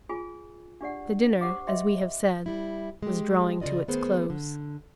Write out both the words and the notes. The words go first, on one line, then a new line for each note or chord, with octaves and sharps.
The dinner, as we have said, was drawing to its close.
F4 G#4 G#5
D4 G4 D5 F#5
G4 C5 F#5 D6
D#5 E5 G5 C6
G3 E4
G#3 G4
C#3 F#3 F4 D5 D#5
D#3 A3 B3 G#4 A#4 C5
D3